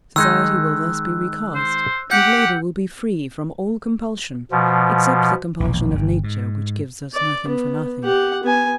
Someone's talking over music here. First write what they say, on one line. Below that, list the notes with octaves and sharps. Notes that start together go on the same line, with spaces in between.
Society will thus be recast, and labour will be free from all compulsion except the compulsion of Nature, which gives us nothing for nothing.
D#3 G#3 D#4 E6 F#6
C5
G4 F#5 G6
B2 F3
E1 A#1
G1
G#2
D5
B3
G4 F#5
B3 G#5